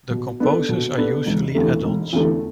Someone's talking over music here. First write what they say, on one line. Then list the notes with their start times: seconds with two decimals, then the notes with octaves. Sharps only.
The composers are usually adults.
0.11 B2
0.40 B3 D4 A4
0.69 B2
0.97 B3 D4 A4
1.26 E1
1.55 E2 D3 A3
1.84 E1
2.13 E2 D3 A3